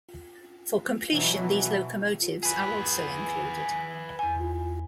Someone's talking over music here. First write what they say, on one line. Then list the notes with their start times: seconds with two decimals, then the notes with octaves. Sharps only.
For completion these locomotives are also included.
1.11 B2 E3 F#3
2.43 G#4 B4
4.19 E2 G#5